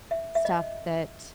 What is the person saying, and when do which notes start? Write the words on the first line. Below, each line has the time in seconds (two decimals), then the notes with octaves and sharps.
stuff that
0.11 E5
0.35 E5
0.45 D#5